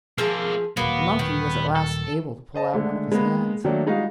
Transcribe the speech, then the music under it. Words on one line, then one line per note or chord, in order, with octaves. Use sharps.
The monkey was at last able to pull out one of his hands.
F3 A#3 G#4 A4 A#5
D#1 F#3 A#3 B3 F#4
D#3
A4
C5 D#5 A5
D3 G#3 A3
G#3 A#3 B3
D#3 F#3 A3 A#3 D4
G3 G#3 D#4 F4 F#4 F5